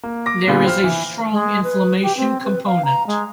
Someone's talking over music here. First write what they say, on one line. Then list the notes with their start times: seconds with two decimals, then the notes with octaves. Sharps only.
There is a strong inflammation component.
0.03 A#3
0.26 D6 A#6
0.47 A#2 D3 B3 F4 G#4
0.64 C5 G5 F6
0.84 E3
1.31 G#3
1.64 B4
2.03 G4
2.17 C4
2.44 B4
2.66 F5
2.85 A#5
3.07 G#3